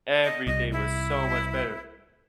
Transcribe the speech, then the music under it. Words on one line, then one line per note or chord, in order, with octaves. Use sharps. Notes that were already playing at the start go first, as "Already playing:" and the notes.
Everything was so much better,"
D#5
C2 D#5
E4